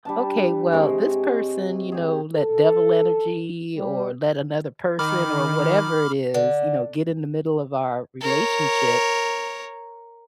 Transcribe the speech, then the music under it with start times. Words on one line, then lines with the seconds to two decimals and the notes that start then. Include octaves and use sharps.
"Okay, well, this person, you know, let devil energy or let another person or whatever it is, you know, get in the middle of our relationship,
0.05 G3 D4 A5
0.72 C3 G#3 C#5
1.92 G4 G#4
2.36 A4
3.76 G3
4.99 D#3 B5 D6 F6
6.34 D3
8.21 A#4 C#5